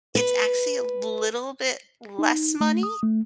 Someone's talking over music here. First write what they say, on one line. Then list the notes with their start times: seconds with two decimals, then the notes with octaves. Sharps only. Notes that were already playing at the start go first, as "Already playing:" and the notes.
It's actually a little bit less money.
0.15 B4
2.19 D#4
2.61 A3
2.83 D#6
3.03 A3